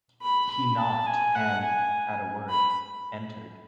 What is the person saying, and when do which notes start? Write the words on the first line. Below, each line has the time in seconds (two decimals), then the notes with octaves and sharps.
He knocked and, at a word, entered.
0.22 B5
0.51 B5
0.78 A5
1.07 G#5
1.35 F#5
1.64 G#5
2.50 B5